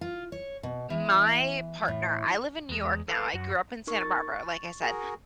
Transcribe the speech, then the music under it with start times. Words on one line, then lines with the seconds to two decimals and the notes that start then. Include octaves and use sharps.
my partner I live in New York now, I grew up in Santa Barbara, like I said,
0.01 F4
0.32 C#5
0.63 B2
0.90 E3
1.88 A2
2.69 E2 G#3
3.08 A4 B4 F5
3.33 F#2 F#4
3.87 D#4 A#4 C#6
4.01 C#6 A6
4.81 F#4 G#4 A#4